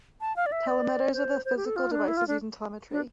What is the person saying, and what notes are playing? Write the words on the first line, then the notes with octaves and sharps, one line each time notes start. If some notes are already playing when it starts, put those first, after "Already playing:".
Telemeters are the physical devices used in telemetry.
A5
F5
D5
E5
D5
C5
C5
G4
A4
F4
D4
E4
F4
D4
D4